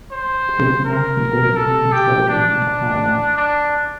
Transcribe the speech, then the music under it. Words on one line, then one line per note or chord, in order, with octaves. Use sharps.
Today the National Day is mainly celebrated in Taiwan.
C5
A#4
A4
G4
D4
D4